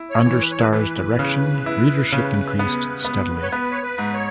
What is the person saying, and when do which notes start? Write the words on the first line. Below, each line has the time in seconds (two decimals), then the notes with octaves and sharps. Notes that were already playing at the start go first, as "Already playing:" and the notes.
Under Starr's direction readership increased steadily.
Already playing: E4
0.10 C#5
0.26 E3
0.42 B4
0.51 C#5
0.61 B4
0.73 E3 B4
1.19 C#3
1.66 E4
2.12 C#3
2.59 B3
3.05 B3
3.43 C#5
3.52 B3 B4
3.71 C#5
3.83 B4
3.98 G#2
4.14 C#5